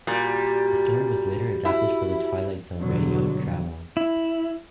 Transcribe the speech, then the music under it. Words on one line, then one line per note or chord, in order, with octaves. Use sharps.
The story was later adapted for The Twilight Zone Radio Dramas'.
A#2 G3 F#4
E4 F#4
G#1 G2 B2 D3 F#3
E4